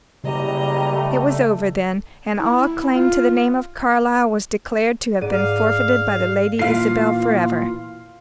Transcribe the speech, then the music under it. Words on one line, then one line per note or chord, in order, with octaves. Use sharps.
It was over, then, and all claim to the name of Carlyle was declared to have been forfeited by the Lady Isabel forever.
F#1 C#3 G3 D#5 A#5
A3
E4
F4
G#2 D5 D#7
F5
A#2 E3 F4 F5 C7